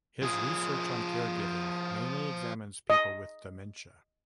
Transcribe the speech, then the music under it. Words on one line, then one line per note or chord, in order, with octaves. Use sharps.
His research on caregiving mainly examines people with dementia.
F3 G#4
D#5